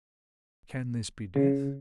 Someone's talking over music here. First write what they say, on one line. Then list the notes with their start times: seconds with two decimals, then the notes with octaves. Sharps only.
'Can this be death?
1.36 C#3